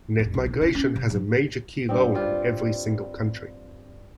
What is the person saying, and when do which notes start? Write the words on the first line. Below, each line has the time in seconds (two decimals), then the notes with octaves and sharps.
Net migration has a major key role in every single country.
0.19 F1
0.34 B1
0.46 C3
0.61 C#3
0.75 C#4
0.96 C3
1.10 F#3
1.89 G2 C4
2.14 G3 C4 F4